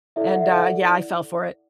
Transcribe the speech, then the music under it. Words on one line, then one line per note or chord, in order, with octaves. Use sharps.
and, uh, yeah, I fell for it,
E4 A4 D5 E5
F#5
E5
E4 A4 D5 F#5